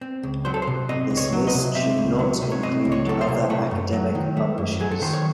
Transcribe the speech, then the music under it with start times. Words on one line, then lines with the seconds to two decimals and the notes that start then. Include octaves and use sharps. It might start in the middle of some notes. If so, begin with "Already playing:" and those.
This list should not include other academic publishers.
0.01 C4
0.23 C#2
0.45 F#3 C5
0.54 A4
0.62 C5
0.67 C3
0.89 C4 D#5
1.11 C#2
1.17 C#5
1.32 F#3
1.47 D#5
1.54 C3
1.75 C4 E5
1.97 C#2
2.19 F#3
2.42 C3
2.52 C#5
2.63 C4 D#5
2.85 C#2
2.92 C#5
3.06 F#3 A4
3.21 C5
3.28 C3
3.50 A3 C#5
3.71 F#2
3.93 F#3
4.15 D#3
4.37 A3
4.58 F#2
4.80 F#3 G#4
4.91 A4
5.02 D#3 C5
5.13 C#5